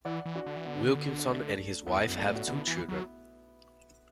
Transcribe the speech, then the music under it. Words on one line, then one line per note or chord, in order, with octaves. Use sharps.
Wilkinson and his wife have two children.
E3 D5 F#5
E3
D4 F#4
D3
E3
D3 B3
A3 D4
E2 B3 E4
F#2
A3 D4
A2
F#4
D3 B3 E4
E3
F#3